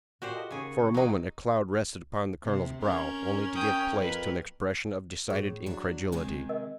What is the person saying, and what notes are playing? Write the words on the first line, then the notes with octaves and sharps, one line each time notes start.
For a moment a cloud rested upon the colonel's brow, only to give place to an expression of decided incredulity.
A#2 F#4 G4 C5
F4 A4 D#5
D#2 C#3 G#4 C#6
F#3 D#4
C3
C#4 A#4
G5 D#6
F2 A#4 B4
A2 G#4
F#3 D4
C3 D#3 G#3
A#4 D#5